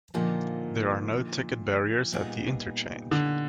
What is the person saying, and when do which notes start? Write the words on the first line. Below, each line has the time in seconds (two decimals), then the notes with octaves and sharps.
There are no ticket barriers at the interchange.
0.14 A#2 D3 F3 A#3 D#4
2.12 A#2 G3 B3 D#4 G#4
3.11 D3